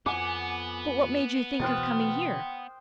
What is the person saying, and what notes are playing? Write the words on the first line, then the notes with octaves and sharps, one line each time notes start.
"But what made you think of coming here?"
F2 B3 F#5 G#5 D6
B2 E3 C5 G5 D#6 F6 F#6 A6